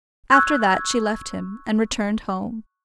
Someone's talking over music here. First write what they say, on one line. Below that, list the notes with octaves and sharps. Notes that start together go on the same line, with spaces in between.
After that she left him, and returned home.
C#6 E6 F#6 G#6